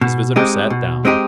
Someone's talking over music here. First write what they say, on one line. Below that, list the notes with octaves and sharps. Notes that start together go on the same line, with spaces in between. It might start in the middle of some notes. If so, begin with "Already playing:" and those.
His visitor sat down.
B2
G#3 C4 D#4 G4
B2
G#3 C4 D#4 G4